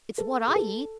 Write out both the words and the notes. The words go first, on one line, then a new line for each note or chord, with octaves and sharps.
"It's what I eat."
A4
G#4
A4